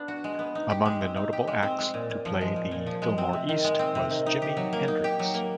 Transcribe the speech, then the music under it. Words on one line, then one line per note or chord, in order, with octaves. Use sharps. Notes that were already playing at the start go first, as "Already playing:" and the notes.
Among the notable acts to play the Fillmore East was Jimi Hendrix.
Already playing: B3 D4
F#4
G#3
B3
D#4
G4
G#3
C4
D#4
G4
G#3
C4
G#3
A#2
A#2
F3
G#3
A#2
A#2
F3
G#3
C4
C3
D#3
G#3
C4
C3
D#3
D#4
G4
F#3
A#3
D#4
G4
F#3
A#3